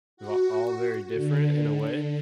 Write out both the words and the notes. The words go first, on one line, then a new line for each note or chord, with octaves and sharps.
va all very different in a way,
F#4
D3